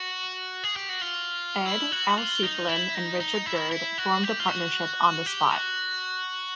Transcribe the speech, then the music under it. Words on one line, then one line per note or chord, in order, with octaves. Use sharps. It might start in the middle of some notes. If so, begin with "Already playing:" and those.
Ed, Al Schieffelin and Richard Gird formed a partnership on the spot.
Already playing: F#4
G#4
G4
F#4
F4
E4
F#4
F4
D#4
E4
D#4
D#4
E4
E4
F#4
G4
F4
F#4
G4
F#4